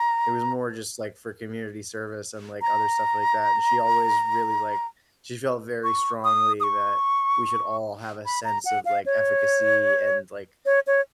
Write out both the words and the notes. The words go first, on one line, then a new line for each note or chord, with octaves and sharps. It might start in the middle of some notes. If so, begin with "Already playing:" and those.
it was more just like for community service and, like, other stuff like that, and she always really like she felt very strongly that we should all have a sense of, like, efficacy and like,
Already playing: A#5
A#5
C#6
D#6
D#6
C#6
B5
A#5
F#5
F5
C#5
C#5
C#5